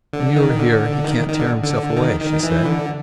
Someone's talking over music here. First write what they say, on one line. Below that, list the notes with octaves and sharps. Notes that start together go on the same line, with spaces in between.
"When you are here he can't tear himself away," she said.
D3
D#3
D3
D#3
D#3
D3
D3
D#3
D#3
E3
D3